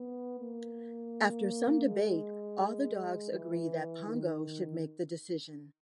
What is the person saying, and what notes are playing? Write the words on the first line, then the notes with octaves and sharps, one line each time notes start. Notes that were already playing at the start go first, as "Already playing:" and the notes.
After some debate, all the dogs agree that Pongo should make the decision.
Already playing: B3
A#3
G#3
E3
D#3